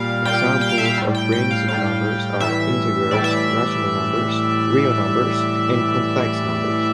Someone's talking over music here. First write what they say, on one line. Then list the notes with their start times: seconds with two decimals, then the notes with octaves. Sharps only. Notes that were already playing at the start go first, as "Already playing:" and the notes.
Examples of rings of numbers are integers, rational numbers, real numbers, and complex numbers.
Already playing: A#2 G3 F5
0.25 A#2 G3 G5
0.61 G5
0.69 F5
0.78 E5
0.85 F5
0.98 A2 G3
1.15 G5
1.32 G5
1.51 F5
1.68 A2 G3 F5
2.40 A2 E3 G3 E5
3.11 A2 E3 G3 D5
3.24 E5